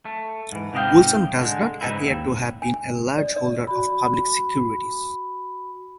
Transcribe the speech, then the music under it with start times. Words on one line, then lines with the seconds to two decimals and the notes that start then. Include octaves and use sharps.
Wilson does not appear to have been a large holder of public securities.
0.05 A3
0.52 G#2 E3
0.73 G#2 C3 G4 D#5 F5 G5
1.40 D3 G#3
1.81 G#2 C#3 E3 D#4 E4
2.04 D#2
2.62 G#5
3.18 D5
3.36 D5
3.67 F#4 B5